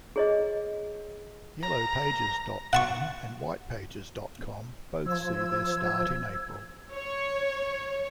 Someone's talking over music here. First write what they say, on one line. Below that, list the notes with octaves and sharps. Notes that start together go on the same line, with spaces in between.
Yellowpages dot com and Whitepages dot com both see their start in April.
G#4 C#5 D#5
A#5
F#5 A5 C#6
F3 E6 G#6
C#5